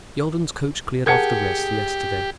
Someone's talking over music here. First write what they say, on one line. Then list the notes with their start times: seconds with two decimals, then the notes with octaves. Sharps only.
Yalden's coach cleared off the rest yesterday.
1.06 G4 G#4 A#4 F#5 A5 G#6 C#7